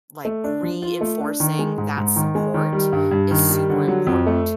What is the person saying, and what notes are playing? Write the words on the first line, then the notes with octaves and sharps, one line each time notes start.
like, reinforcing that support is super important.
A3
D4
F3
F4
A3
D4
D#3
G#3
G#2
G#2
D#3
G#3
D#3
G3
G2
G2
D#3
G3
D3
F#3
F2
A3